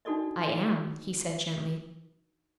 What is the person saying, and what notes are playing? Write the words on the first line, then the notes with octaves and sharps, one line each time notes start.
'I am,' he said gently.
D4 D#4 F#4 A4 D5 D#5